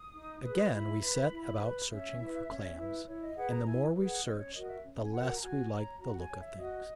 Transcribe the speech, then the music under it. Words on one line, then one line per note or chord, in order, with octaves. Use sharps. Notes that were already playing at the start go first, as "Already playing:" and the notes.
Again we set about searching for claims, and the more we searched the less we liked the look of things.
Already playing: D#6
D#4
G#4 B4
E4 B5
B4
E4
B4
C#4 E5
E4 B4
C#4
E4 B4
E4 C#5
D#5
G#4 B4 F#5
A#5
E4 G#5
G#4 B4
F#5
C#4 D#5
C#5
F#4 A#4 D#5
E5
C#4
G#5
F#4 A#4 F#5
A#5
F#4 G#5
C#5 A#5
F#4 A#5
F#5
G#5
C#5
E5
F#4 D#5